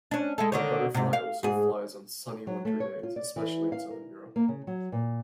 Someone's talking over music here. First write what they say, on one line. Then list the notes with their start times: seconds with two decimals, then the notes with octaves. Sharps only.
The butterfly also flies on sunny winter days, especially in southern Europe.
0.11 C#4 D4
0.38 G#3 E4 A4
0.52 D3 D#3 C#5
0.94 G#2 C3
1.13 F5
1.43 G#2 G#4
2.47 F#3
2.65 A3
2.80 C#5
3.03 F4
3.16 D5
3.36 E3
3.72 F5
3.91 A#4
4.36 A#3
4.48 C#3
4.67 F#3
4.92 A#2